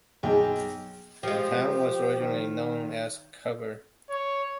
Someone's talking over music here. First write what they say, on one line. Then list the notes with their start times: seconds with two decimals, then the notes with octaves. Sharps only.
The town was originally known as Cover.
0.23 B1 G#4 G5
1.23 F3 G#3 G4
2.20 D#3
4.10 C#5